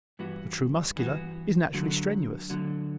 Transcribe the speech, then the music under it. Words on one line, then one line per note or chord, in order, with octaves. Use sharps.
The true Muscular is naturally strenuous.
G2 E3 B3 F#4
G2 E3 B3 F#4
D2 D3 F#3
D2 D3 F#3